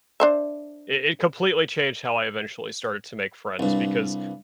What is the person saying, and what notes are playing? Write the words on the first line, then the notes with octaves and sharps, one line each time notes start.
it it completely changed how I, eventually, started to make friends because
D4 C5 E5
C2 G2